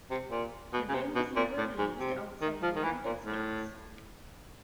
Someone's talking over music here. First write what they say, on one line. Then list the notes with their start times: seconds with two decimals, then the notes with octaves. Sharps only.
The game was never released outside the United States.
0.10 C3
0.31 A#2
0.73 B2
0.89 C#3
0.94 C3
1.15 B2
1.36 A#2
1.58 A2
1.78 G#2
2.00 C3
2.41 D#3
2.62 F3
2.76 D#3
2.83 E3
3.06 A#2
3.26 A2